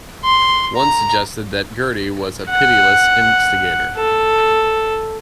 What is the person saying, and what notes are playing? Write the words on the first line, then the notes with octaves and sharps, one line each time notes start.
One suggested that Girty was a pitiless instigator.
C6
A#5
F#5
A4